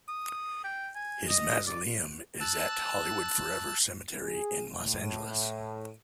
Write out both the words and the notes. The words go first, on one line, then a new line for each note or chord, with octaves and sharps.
His mausoleum is at Hollywood Forever Cemetery in Los Angeles.
D#6
G5
G#5
D#5
D5
A5 E6 F#6
G#4
A2